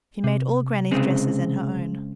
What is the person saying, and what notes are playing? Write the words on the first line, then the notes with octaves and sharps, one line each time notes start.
She made all grannie's dresses and her own.
C3
C#3 G#3 C4